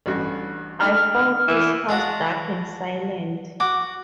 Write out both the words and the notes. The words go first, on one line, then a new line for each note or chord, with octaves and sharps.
I found his house dark and silent.
A1 G2 F#4
A3 D4 D#4 F6
E3
D4 F4 F#4
F#4 D6